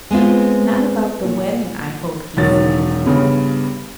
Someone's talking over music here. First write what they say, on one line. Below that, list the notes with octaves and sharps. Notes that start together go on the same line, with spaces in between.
'Not about the wedding, I hope,' he said.
G#3 B3 C4 F4
A#2
E1 D#3 F#3 A6
G2 C#3 B3